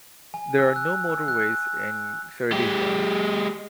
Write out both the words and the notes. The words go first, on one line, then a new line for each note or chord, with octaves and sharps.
There are no motorways in Ceredigion.
G#5
E6
F#6
E6
F#6
G#3 G4